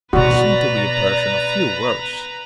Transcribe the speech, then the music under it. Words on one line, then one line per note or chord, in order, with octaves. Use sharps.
He seemed to be a person of few words.
B2 B3 F#4 B4 D5 A#5